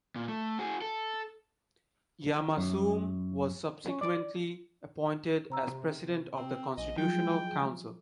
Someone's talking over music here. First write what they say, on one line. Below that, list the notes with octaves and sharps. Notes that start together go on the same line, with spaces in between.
Yamassoum was subsequently appointed as President of the Constitutional Council.
A#2
A3
F#4 G#4
A4
F#2
C#4
D5
C3 C5 A#5 E6
C4
A#1 D#5 G#5
F3 F#3 G#3 F4 G5